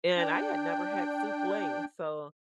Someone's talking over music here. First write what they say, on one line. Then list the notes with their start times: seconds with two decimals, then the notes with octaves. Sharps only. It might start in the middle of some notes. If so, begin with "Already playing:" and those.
and I had never had souffle, so,
0.17 D4 G5